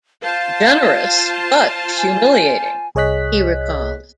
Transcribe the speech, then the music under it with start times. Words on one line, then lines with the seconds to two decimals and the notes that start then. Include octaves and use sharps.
"Generous but humiliating", he recalled.
0.23 F4 C5 F5 A5
1.97 G#5
2.95 C2 G#4 C#5 D#5 F#6 B6